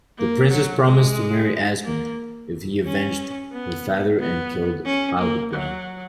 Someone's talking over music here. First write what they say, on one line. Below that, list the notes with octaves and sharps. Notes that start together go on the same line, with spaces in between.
The princess promised to marry Asmund, if he avenged her father and killed Hildebrand.
A#3
F#3
G#3
A#3
C#4
B3
B3
C#4
A#3
F#3